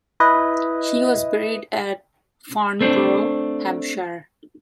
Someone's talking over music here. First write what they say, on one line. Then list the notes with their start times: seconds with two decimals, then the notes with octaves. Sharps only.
He was buried at Farnborough, Hampshire.
0.20 E4 B4 D#5
2.81 A3 C4 D4